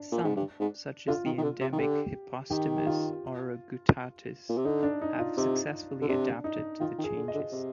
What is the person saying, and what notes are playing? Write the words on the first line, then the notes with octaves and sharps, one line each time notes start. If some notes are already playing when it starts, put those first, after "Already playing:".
Some, such as the endemic "Hypostomus auroguttatus", have successfully adapted to the changes.
Already playing: D4
A#2
G#2
G2
G#2
D3 F4
D#3
D#3
D3
C3
D#3
D3 G4
D#3 G4
G4
F4
A#2
C3
D3 D#4
D4
D#4
F4
C3 D#4
D3
C3 D4
D#4
D#3 F4
D#3
G#4
D3
D#5
D3
C3